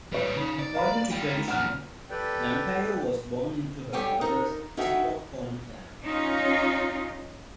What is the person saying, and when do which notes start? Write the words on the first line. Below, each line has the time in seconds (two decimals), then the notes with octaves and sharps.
According to tradition, Nampeyo was born into her mother's Tewa Corn clan.
0.12 G3 D#4 B4 C#5
0.36 C#3 D#4
0.59 D5
0.75 F5 A#5 B5
1.11 G#3 G5
1.48 A#2 D4 F#5 F6
2.09 G4 A4 B4 D5 G5
3.93 G3 G4 A4 C#5 G5 G#5
4.21 D#4 A4 A#4
4.77 C#4 D#4 F#4 A4 E5 G5
6.04 C#4 D#4 F4